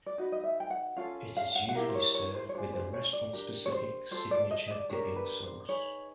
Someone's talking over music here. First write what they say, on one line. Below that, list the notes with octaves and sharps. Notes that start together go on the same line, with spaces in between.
It is usually served with a restaurant-specific signature dipping sauce.
D5
D#4 F#4 B4 D#5
D#5
E5
G5
F#5
C#4 F4 A4 F5
F5
F#5
F#5
E4 G4 A#4 F5
C5
C#5
C#5
C5
C#5
D4 F4 G#4 C5
C5
C#5
D5
D4 G4 A#4
C#5
C5
F4 A4 C5
D5
D#5
D5
D4 G4 A#4 C#5
B4
C5
D#4 G#4 B4 C#5